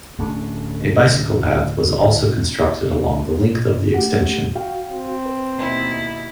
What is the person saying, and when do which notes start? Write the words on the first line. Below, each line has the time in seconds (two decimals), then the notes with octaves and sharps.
A bicycle path was also constructed along the length of the extension.
0.18 D1 A3 C#4 D4
3.94 A3 G4 F#5
4.55 F#4 F5 G5
4.92 C4
5.26 B4
5.57 D#2 B2 E4